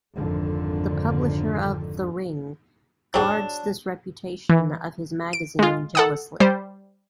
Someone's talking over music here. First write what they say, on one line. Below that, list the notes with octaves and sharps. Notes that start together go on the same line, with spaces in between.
The publisher of "The Ring" guards this reputation of his magazine jealously.
G#1 F2 D3 D#3
G#2 F#3 D4 G4 B5
E3
D7
G#3 F4
A4 F#5 D#6
G3 C5